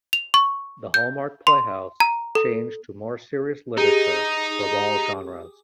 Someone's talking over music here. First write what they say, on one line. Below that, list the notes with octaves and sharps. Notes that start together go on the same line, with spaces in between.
"The Hallmark Playhouse" changed to more serious literature from all genres.
F7
C#6
G6
C6
A#5
A4
D#4 G4 G#4